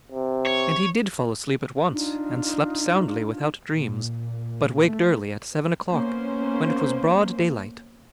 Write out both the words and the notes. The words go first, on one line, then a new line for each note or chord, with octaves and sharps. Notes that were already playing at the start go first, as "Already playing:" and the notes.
And he did fall asleep at once, and slept soundly without dreams, but waked early, at seven o'clock, when it was broad daylight.
C3
C#5
D4 D#4 F4
A#2
A3
A#3 B3 C#4 C5